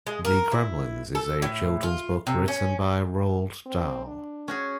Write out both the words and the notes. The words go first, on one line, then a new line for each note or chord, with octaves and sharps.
The Gremlins is a children's book, written by Roald Dahl.
G#3
A#4
E4
A4
A2
F4
C3
C#4
C4
D4
C#4 F#4 G#4